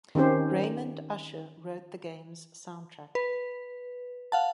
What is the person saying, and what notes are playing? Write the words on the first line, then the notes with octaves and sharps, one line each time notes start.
Raymond Usher wrote the game's soundtrack.
D#3 C4 C#4 G4 C5
B4
F5 F#5 A5